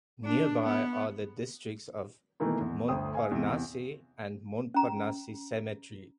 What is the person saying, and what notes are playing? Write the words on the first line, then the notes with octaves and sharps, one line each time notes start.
Nearby are the districts of Montparnasse and Montparnasse Cemetery.
D4
B3
B2 D#3 E3 A3 A#3 D#4
E2
G1 D2 C5 G5 D#6
F5 G#5
E2 C3
C#4 A#5